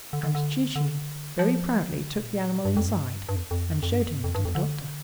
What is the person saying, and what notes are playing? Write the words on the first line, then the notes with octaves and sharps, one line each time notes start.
And Chee-Chee very proudly took the animal inside and showed him to the Doctor.
D3
D3
D3
D3
F3
C3
D3
C3
A#2
G2
F2
G2
G2
F2
F2
F2
G2
F2
G2
F2
G2
F2
D3